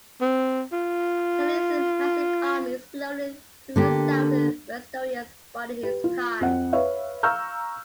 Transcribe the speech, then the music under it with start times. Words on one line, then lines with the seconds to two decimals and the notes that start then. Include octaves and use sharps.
He leads his massive army slowly through southern Westeros, biding his time.
0.21 C4
0.72 F4
3.76 D3 A#3 G4
5.83 G4 B4
6.04 F4
6.41 F2 C4 F#5
6.73 B4 C#5 E5 F5
7.23 F5 A#5 C#6 E6 F6 G6